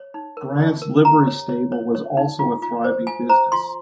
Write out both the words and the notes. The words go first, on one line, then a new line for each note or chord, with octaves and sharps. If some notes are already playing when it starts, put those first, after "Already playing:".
Grant's Livery Stable was also a thriving business.
Already playing: C#5
D#4
A#4
D#4
A#4
G4 A#5
C#5
C#5
C#5
C#5
D#4
F4
F4
C5
F4 G#5
C5 A#5
F4 C6